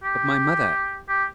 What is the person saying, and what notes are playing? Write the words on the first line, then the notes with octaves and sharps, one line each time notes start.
"But my mother?"
G4
G4